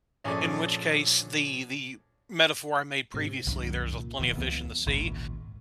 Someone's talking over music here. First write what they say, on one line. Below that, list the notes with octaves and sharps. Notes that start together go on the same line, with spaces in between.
in which case, the the metaphor I made previously, "There's, uh, plenty of fish in the sea,"
A#1 C#4 G#4 A4 D5
G#2 C3
C2 F#2 D#3
A#2
D1 E2 B2
C#2 E3 B3
G#1 C#2 A#2